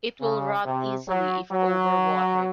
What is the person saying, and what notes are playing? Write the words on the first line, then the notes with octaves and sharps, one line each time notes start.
It will rot easily if overwatered.
C#3
C3
F#3
F#3